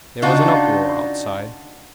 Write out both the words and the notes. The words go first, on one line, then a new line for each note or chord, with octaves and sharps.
There was an uproar outside.
C#3 D4 D#4 F4 F#4